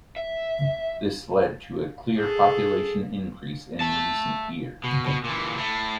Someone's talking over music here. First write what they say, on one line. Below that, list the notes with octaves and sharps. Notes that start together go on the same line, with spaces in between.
This led to a clear population increase in recent years.
E5
G#4 A4
E5 A5
B2
B2
A#2 E3
A3 E4